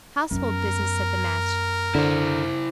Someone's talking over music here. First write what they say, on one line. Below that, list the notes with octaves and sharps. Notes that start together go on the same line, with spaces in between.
Household business, said the Master.
F#2 B3 A#4
D3 E4 C5